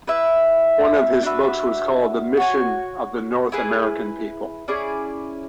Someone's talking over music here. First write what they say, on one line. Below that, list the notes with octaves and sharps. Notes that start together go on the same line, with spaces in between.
One of his books was called "The Mission of the North American People".
E4 B4 E5
D4 F#4 B4 E5
F#4 C#5 G#5
E4 G#4 B4
C#4 E4 G#4 D5